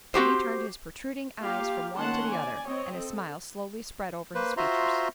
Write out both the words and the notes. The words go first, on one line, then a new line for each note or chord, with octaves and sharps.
Peggy turned his protruding eyes from one to the other, and a smile slowly spread over his features.
C4 F#4 G4 C5
A#3 F4 G4 F5
D#3 A#3 C#4 F#5 A5 C6
D5 G#5
C4 C#5 D#5
A4
A#3 B4 C5
F4 F#4 C5 E5 A#5 C6